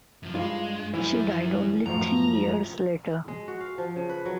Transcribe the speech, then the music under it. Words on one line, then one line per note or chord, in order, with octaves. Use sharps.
She died only three years later.
F#2 F3
G2 G#3 F4
F#2 E3 C#4 E4
F#2 A2 F3 A#5
G#3
F#4
F5
F3
C#3
B4
F#3